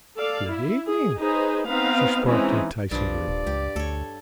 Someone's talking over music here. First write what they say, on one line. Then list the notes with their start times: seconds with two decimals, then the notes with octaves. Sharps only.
"Good evening," she sparked enticingly.
0.17 A4 D5 F5
0.47 E4
0.89 G#4
1.18 D#4 G#4 B4 C5
1.67 B3 C4 D#4 B4 F5
2.27 E3 G#3 C4 C#4 D#4 E4
2.91 B1 G2 F3 D5
3.28 D#1
3.47 C#2 G4
3.76 D2 A4 C#5